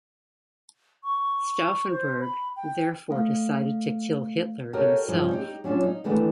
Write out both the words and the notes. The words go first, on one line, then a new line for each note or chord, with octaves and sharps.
Stauffenberg therefore decided to kill Hitler himself.
C#6
C5
B5
G5
A3 F5
F#4 G4 A4 A#4 C#5 D#5
G2 F3 D4 E4 G#5
D#4 G4
F#3 C#4 D4 F4
D#4
D#3 E3 A3 B3 D4 D#4